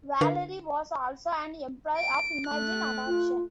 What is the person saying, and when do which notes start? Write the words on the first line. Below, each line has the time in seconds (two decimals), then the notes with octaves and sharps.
Valerie was also an employee of Imagine Adoption.
0.21 D3 D4 A#4 B4 F5 C7
1.97 D7
2.46 A3 F#6
3.07 F4